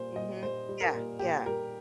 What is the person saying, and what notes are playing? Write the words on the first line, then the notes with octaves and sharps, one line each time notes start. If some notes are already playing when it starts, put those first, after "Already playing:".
Mhm. Yeah, yeah.
Already playing: A#2 G3 C5
A#2 D#5
G3 C5
G3
A#4
A#2
A#2 G4
G3 A#4